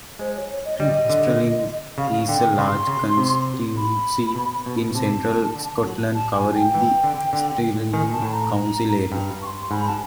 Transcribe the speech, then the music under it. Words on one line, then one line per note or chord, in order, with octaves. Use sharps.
Stirling is a large constituency in Central Scotland covering the Stirling council area.
G#3 C5
C#5
C#5
D#5
G3 D#5
D3
C#3 F5
D3 G5
C#3 C6
C#3
C3
B5
B2
B2
C3 A5
D3
F#3
G3 A5
G#5
F3
G5
E3 G5
D3
D3
D#3 G#5
A5
A2
A#5
G2
C#6
C6
G#2 B5
A5